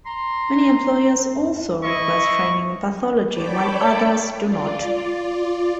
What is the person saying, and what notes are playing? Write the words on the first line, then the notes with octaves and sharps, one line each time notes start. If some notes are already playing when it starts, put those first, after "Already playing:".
Many employers also request training in pathology while others do not.
A#5 C6
E4 D#5 C#6
C#5 D5 G5 A5 B5 D6
F4 D5